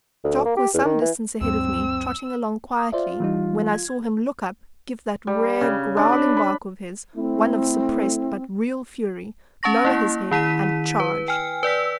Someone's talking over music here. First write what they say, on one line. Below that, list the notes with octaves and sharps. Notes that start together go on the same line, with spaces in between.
Jock was some distance ahead of me, trotting along quietly, when I saw him look up, give that rare growling bark of his--one of suppressed but real fury--lower his head, and charge.
D2
A#3
G4
E2
D#3
E3
D2 G2 F#3 C4 E6
D#6
F4 C5 D5 E5
E3 G3 D#4
G#6
G3
C#3
D4
B5
B5
A3 C4 E4
C#4 A5 C#6 A#6
A#3 E4
D#3 E4 B6 D#7
B4
G5 G#5 F6
B4 D5 E6 B6